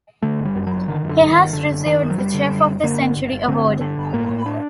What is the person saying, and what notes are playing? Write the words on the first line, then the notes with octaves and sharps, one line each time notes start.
He has received the "Chef of the Century" award.
D3 A3
G1
G3
F#2
F#3
G1
D3 D#3
F#2
D3
G1
D#3
G1
F#1 D3
F#1
F#1 D#3
F#1
F#3
F#1 G3
D3
F#1
F#1
D3 A#3
G1
G1
G1
D3 C4
G1
D3
G1
A2 A#3
A2
D4